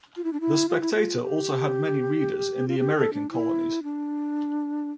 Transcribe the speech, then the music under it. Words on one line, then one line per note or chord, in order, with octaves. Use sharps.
"The Spectator" also had many readers in the American colonies.
F4
E4
D4
E4
F4
E4
F4
G4
F4
G4
A4
D4
E4
D4